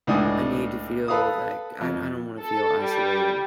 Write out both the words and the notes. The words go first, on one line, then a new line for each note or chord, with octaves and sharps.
I need to feel like I I don't wanna feel isolated.
C#2 A2 D4 D#4 G#5 D#6
A4 B4 F5 D#6
F2
A4
G3